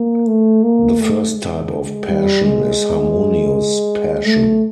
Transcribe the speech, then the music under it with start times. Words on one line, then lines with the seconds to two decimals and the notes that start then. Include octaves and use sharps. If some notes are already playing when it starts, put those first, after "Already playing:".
The first type of passion is harmonious passion.
Already playing: A#3
0.27 A3
0.63 A#3
0.99 A3
1.35 G#3
2.07 G3
2.44 G#3
4.25 A3